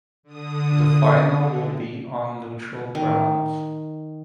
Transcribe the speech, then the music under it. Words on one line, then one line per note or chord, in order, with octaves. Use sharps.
The final will be on neutral grounds.
D3 D#6
D3
D#3